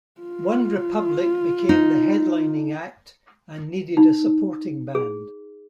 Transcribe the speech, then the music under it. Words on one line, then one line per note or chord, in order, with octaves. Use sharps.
OneRepublic became the headlining act and needed a supporting band.
F4
D#4
D#4
G#4